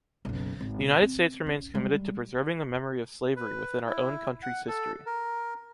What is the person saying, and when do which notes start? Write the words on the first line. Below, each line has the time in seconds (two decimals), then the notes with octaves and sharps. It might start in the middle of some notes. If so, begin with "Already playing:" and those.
The United States remains committed to preserving the memory of slavery within our own country’s history.
0.25 F#1 B1
0.60 G#1
0.81 B2
1.01 C4
1.46 C#4
1.74 G3 G#3
3.36 B4
3.86 E4
4.43 F#5
4.68 A4
5.06 A#4